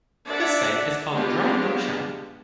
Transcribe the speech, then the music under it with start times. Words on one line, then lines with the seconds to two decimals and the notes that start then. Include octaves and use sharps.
This site is called "Dry Moksha".
0.25 D4 D5 E5 F#5
1.11 G#3 B3 D4 F4 G4